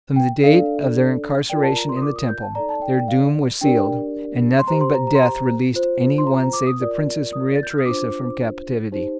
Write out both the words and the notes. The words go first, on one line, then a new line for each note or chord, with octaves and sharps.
From the date of their incarceration in the Temple their doom was sealed, and nothing but death released any one save the Princess Marie Theresa from captivity.
G5
D4 A4 D5 F5
F4 A#4 D5 G5
A5
A#5
C6
D#6
D6
D#6
G6
A5
D#4 A4 D5 A#5
A5
G5
G5
F5
D4 G4 A#4 D5 G5
C6
G4 C5 A#5
C6
A#5
A#5
C6
A#5
F4 C5
C6
A#5
A#5
D6
D#6
F4 A#4 D5
D#6
A6
G6
F6
D#6
D4 F4 C5 D6
D#4 G4 C5